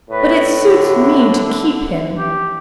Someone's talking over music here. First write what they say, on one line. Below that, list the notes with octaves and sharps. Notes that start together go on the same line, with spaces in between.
But it suits me to keep him.
A2 B4
D3
G4